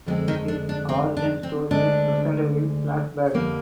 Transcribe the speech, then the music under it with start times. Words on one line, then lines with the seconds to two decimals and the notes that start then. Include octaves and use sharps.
His origin story is presented in flashbacks.
0.06 F2 D3 G#3 C4 D4
0.28 D#3 D#4
0.48 D4
0.69 D4
0.89 C4
1.17 D4
1.43 C4
1.71 D2 D3 G#3 D4
3.34 F2 D3 G3 A#3